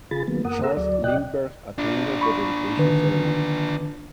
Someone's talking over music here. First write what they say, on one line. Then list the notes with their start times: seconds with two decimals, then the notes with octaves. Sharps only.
Charles Lindbergh attended the dedication ceremony.
0.11 C#3 F4 G#4 B5 A6
0.28 D#3 F#3 A#3 B3
0.45 F#2 A#3 A#4 F#5 D#6
0.63 G#4 A4 F#5 A#5 E6
0.77 D2 F#3 D5
1.04 B2 D5 D#5 G5 F#6
1.78 D4 F4
2.21 B5 C#6
2.77 D3 D#3 B4